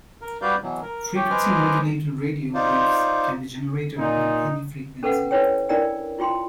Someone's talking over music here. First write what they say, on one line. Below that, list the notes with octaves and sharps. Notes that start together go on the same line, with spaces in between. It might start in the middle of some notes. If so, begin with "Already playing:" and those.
Frequency-modulated radio waves can be generated at any frequency.
A#4
G3 F#4 B4 D5 F5 G6
B2 E3 F#3
A#4
G4 C#5 G5
B4 C5 D#5 G#5 D6 F6
D#4 F4 C5 D5
A#2 D#4
C#4 A4 B4 F5 F#5
E4 B4 C#5 G5
D4 E4 A#4 D5 G5
E4 F4 G5 C6